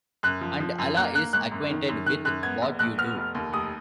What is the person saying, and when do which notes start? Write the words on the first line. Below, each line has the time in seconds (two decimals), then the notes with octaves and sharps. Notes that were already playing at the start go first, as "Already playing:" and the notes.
And Allah is Acquainted with what you do.
0.23 F#2 F#6
0.41 F3
0.60 F3
0.78 F#2
0.97 A#3 F#6
1.15 A#3 F#6
1.33 G#1 F#6
1.51 F#2
1.70 D#3
1.89 F#2
2.06 D#3 F#6
2.25 F#2 F#6
2.43 B3 G#6
2.62 A#1
2.79 A#1 F#6
2.98 B3 F6
3.16 F1
3.35 D#2
3.53 F1 D#6